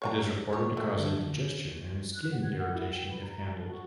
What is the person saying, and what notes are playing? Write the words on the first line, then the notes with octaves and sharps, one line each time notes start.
It is reported to cause indigestion and skin irritation if handled.
C#5 F5 A#5
C#5
A3
D3
F#6
F#5
G#6
F#5
E4
G5
B4
A#5
A#5
A5
F#4